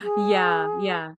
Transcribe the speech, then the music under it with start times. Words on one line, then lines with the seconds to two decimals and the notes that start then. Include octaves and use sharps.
Yeah, yeah.
0.01 G#4